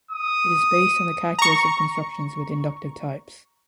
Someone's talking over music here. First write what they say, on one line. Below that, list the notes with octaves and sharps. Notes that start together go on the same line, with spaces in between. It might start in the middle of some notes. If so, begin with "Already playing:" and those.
It is based on the calculus of constructions with inductive types.
D#6
A#5 C#6